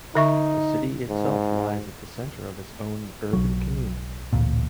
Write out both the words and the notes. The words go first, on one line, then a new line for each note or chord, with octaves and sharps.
The city itself lies at the centre of its own Urban Commune.
D3 D#4 E5 C#6
G#2
B1 F#3
A1 D2 A#2